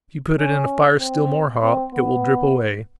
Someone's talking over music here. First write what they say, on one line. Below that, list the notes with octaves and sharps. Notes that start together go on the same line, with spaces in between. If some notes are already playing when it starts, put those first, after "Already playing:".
If you put it in a fire still more hot it will drip away.
C#4
C4
C4
B3